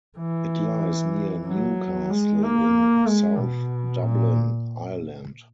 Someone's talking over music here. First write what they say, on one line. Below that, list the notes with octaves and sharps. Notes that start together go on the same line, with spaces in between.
It lies near Newcastle, in South Dublin, Ireland.
E3
F#3
G#3
A#3
G#3
B2
A#2